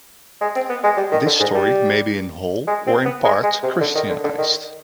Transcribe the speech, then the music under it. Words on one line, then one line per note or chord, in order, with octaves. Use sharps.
This story may be in whole or in part Christianized.
G#3
C4
B3
G#3
G3
D#3
D3
G#2
G3
G#3
C4
B3
G#3
G#3
C3
D3
D#3
D3
D3
D#3